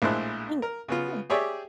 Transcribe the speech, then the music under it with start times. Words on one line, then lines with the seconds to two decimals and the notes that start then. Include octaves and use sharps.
Thanks, you too.
0.02 A#1 A2 G#3 E4 C5 F#6
0.62 A#4
0.88 C#3 B3 F4
1.30 G4 G#4 C#5 D5 E5 G5